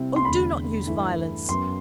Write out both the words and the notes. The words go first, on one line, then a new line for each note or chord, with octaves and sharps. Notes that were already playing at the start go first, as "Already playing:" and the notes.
'Oh, do not use violence!
Already playing: C3 G3 C4 E4
C6
E2 D3 A3 B5
G2 E3 A3 E4
F#2 F#3 B3 C6